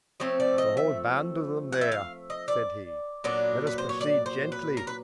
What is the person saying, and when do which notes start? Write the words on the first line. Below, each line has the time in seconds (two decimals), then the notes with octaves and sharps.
"There's a whole band of them there!" said he, "let us proceed gently."
0.20 F3 A3 C4 C#5
0.40 D5
0.58 D#5
0.77 E5
1.72 F#5
1.81 E5
1.92 F5
2.30 D#5
2.48 D5
3.24 A#2 F#3 B3 D4
3.67 B4
3.78 C5
3.89 C#5
4.01 D5
4.26 C5
4.52 B4
4.77 A#4
4.87 B4